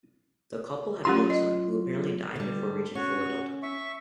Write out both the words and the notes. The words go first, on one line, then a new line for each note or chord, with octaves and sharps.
The couple had one son who, apparently, died before reaching full adulthood.
F#3 A3 C#4 F4 G4 C6
D#5
D3 G3
C#4 F#4 C#6
E5 C#6